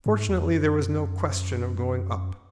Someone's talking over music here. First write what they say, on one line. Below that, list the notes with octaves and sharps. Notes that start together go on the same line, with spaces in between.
But fortunately there was no question of going up.
G#2
E2
F2
F#2